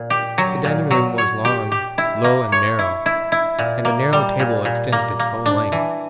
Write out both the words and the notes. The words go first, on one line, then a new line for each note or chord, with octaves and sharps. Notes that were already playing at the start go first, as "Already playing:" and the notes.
The dining room was long, low and narrow, and a narrow table extended its whole length.
Already playing: A#2
G4
F#3
A#2
F#3
C#5
G4
G4
E4
A#3
C#5
E4
E4
E4
A#2
A#3
G3
A#2
A#2
A#3
A#3
D4
E3